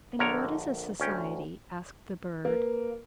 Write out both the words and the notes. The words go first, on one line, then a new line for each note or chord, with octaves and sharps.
And what is a society?' asked the bird.
A#1 D3 A#4 C#5 A#5
D2 C#4 G5
A#3 B4